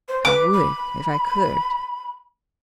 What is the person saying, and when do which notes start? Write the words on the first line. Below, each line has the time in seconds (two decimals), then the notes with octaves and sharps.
"I would if I could!"
0.08 C5
0.25 B4 D6
0.53 B5